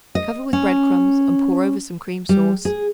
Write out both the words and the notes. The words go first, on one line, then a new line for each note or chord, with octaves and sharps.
Cover with bread-crumbs and pour over some cream sauce.
D#5
C#4
G3
G#4